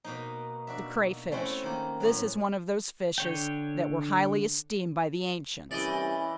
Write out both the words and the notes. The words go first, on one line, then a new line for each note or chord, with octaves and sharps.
THE CRAYFISH.--This is one of those fishes that were highly esteemed by the ancients.
B2 A#3 D#4
D4 F#4 E5
A3 C4 C#4 E4 F#4
D#3 A#3
A2 F#3
D3 C#5 G5
C2 E3 C#4 D5 D#5 G5